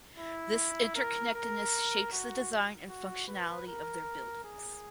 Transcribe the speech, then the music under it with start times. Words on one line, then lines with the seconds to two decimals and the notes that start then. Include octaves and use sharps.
This interconnectedness shapes the design and functionality of their buildings.
0.18 E4
0.95 A#4
1.35 A#4
2.12 F#4
2.89 F#4
3.28 B4
3.67 A#4
4.44 G#4